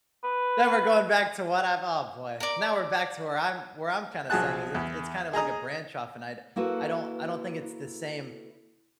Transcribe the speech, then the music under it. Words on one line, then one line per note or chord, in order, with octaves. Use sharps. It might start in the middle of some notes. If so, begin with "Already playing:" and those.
then we're going back to what I've Oh, boy, now we're back to where I'm where I'm kinda saying is it's it's kind of like a branch off, and I d I don't I don't think it's the same,
B4
A#4 D5
B1 F3 F#4 G#4 A5 F#6
E2
G#4 D#5 A#5 D#6
A#3 E4 F#4 A4 B4